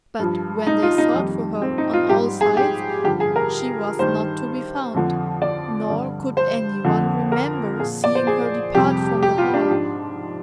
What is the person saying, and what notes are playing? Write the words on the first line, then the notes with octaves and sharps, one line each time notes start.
But when they sought for her on all sides she was not to be found, nor could anyone remember seeing her depart from the Hall.
G2 F3
D#4
F4
D#4
F2 D#3 G3
C4
D#4
F4
G#2 G3 G4
G#4
G4
G2 D3 F3 G4
G#4
A#4
G2 D#3 G3 C5
F2 D3 F3
D5
G2 D3 G3
C5
F2 D3 F3
A#4
A#2 F3 G#4
D5
C5
G#4
F2 C3 G3 G4
G4
F4
D4
G#2 F3